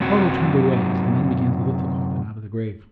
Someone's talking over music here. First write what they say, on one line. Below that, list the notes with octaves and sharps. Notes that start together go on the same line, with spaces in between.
Spargo turned away as the men began to lift the coffin out of the grave.
F#2 C3 F#3